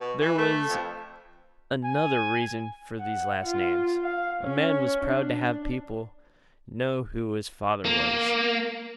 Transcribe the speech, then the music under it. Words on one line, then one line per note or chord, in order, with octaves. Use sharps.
There was another reason for these last names: a man was proud to have people know who his father was.
B2
E3
A3
F2
G#5
F#5
F4
F5
C#4
D4
A#3